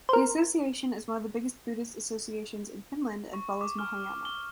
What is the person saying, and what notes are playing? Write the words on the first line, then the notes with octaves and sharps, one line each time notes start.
The association is one of the biggest Buddhist associations in Finland and follows Mahayana.
A#4 C5
C#6
D6
F6
G7